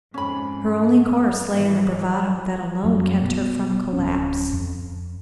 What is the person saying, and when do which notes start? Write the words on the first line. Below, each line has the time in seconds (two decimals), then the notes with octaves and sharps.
Her only course lay in the bravado that alone kept her from collapse.
0.14 F2 G#2 C#4 B5
1.52 G#2 D#3 E3
2.84 F#2 F#3
3.22 B2
3.93 D1 C#4
4.53 F2